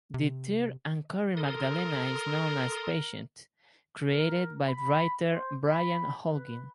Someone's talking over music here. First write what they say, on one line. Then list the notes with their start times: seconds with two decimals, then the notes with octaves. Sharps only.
The third and current Magdalena is known as Patience, created by writer Brian Holguin.
0.14 C3
1.37 A4 A#4 C6 D#6
4.08 A#4
4.67 B5
5.32 C5
5.64 B5
6.32 B4